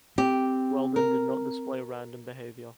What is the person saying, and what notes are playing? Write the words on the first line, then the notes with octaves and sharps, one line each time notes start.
Weldon did not display "random" behavior.
C4 G4
A#4